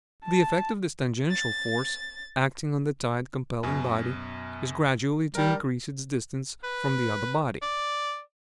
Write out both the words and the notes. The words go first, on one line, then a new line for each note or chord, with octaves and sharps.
The effect of this tangential force acting on the tide-compelling body is gradually to increase its distance from the other body.
A5
A6
F#2 B2 G#5
G3 D4 A#4
B4
D5